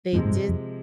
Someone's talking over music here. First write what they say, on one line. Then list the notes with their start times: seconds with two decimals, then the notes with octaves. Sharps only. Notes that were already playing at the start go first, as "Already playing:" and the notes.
They did
0.13 F2 G#2 C3 F3 G#3
0.25 G#2
0.31 G2
0.48 F2